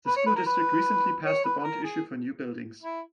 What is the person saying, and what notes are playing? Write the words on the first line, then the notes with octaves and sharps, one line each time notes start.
The school district recently passed a bond issue for new buildings.
B4
C#5
B4
A#4
B4
C#5
B4
B4
A#4
G#4
E4